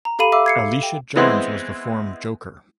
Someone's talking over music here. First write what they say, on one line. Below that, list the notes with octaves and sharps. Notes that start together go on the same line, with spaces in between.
Alicia Johns was the form joker.
A#5
G4 A4 F5 B5 D#7
E5 F5 D6 E6
G#6 C7 C#7
G5
E3 G#3 B3 C4 E4